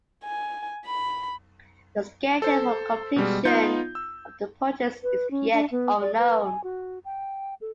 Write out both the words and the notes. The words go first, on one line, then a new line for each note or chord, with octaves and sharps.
The schedule for completion of the purchase is yet unknown.
G#5
B5
A4 C5
B2 G3 G#3
B3 D#4 F4 G6
E6
B4
C#4
D4
B3
D5
B4
G#5
F#4
G5
A4